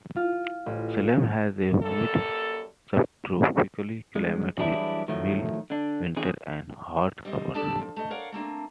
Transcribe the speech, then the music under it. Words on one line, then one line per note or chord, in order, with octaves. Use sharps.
Salem has a humid subtropical climate with mild winters and hot summers.
F4
A1
F#2 G3 A#3 A4
G2 G#3
E3 F#3 G3 D4 E4 G#4
A2 D#3 F3 F#3 A3
D3 D4
E2 D3 C4 G#4
G3 C4 D#5
B3 D4 G4 A4 D5 A5
F3
A3 D#5
A#4 C#5 D5 F5 F#5
A3 A#3 C4 D4